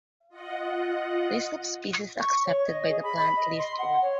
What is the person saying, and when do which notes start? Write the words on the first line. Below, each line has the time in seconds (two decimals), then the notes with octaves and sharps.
List of species accepted by The Plant List Org.
0.29 F4 D#5 F#5
2.20 C#6
2.45 C#5
2.67 D#5
2.88 G#4
3.03 B5
3.17 B5
3.36 D#5
3.59 C6
3.79 F#5
4.02 C#5